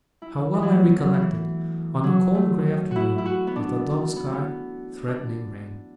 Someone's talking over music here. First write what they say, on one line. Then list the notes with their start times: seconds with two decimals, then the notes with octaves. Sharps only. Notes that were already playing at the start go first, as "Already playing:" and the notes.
How well I recollect it, on a cold grey afternoon, with a dull sky, threatening rain!
0.22 E4
0.54 E3
0.63 F#3
0.73 A3
0.83 B3
0.98 F#3
1.13 E3
2.04 F#3
2.35 A3
2.91 E4 F#4
3.18 E4
3.26 F#4
3.47 B3
3.56 D4
4.16 B3
4.32 B3
5.08 D4